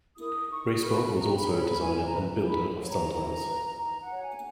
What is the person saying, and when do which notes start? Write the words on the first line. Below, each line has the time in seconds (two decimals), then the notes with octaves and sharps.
Bracewell was also a designer and builder of sundials.
0.17 E4 A#4 D#6
0.49 D#4 C#6
0.82 F#4 B4 B5
1.03 B5
1.15 C#4 A#5
1.37 B5
1.48 G#4 C#5
1.59 B5
1.81 E4 G#5
2.03 A#5
2.13 B4
2.46 D#4 B5
2.80 F#4 C#5
2.91 A#5
3.12 E4 A#5
3.45 B4
3.78 D#4 A#5
4.00 F#5
4.11 F#4 C#5
4.22 G#5